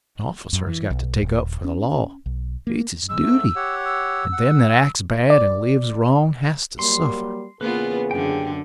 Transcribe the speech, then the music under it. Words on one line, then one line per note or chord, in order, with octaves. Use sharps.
A officer has got to take up for the law--it's his duty--and them that acts bad and lives wrong has to suffer.
F#2
E3
B1
D#1
C#4
B1
A#3
G#3 E6
G#2 A3
G4 C#5 F#5
E6
F#5
D5
F#3 G3 A#3 C6
E2 C#3 A#3 B3 F4 G#4 B4
F#2 D3 G4 G5